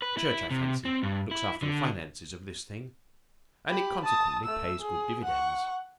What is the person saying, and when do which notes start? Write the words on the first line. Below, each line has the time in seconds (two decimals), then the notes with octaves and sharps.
The Church, I fancy, looks after the finances of this thing, and it consequently pays good dividends.
0.02 B4
0.17 E4
0.51 C3
0.85 C4
1.03 G2
1.31 E4
1.62 D3
3.70 G4 B5
4.03 A5 D#6
4.44 A3 E6
4.80 G#4
5.24 F#5 C#6